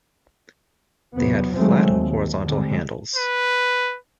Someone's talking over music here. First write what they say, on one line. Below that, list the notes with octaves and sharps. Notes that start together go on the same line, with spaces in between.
They had flat, horizontal handles.
E2 C3 F#3 B3
D#3 F3 F#3 G#3 A3 C4
D#2
D3 G3 G#3 C4
B4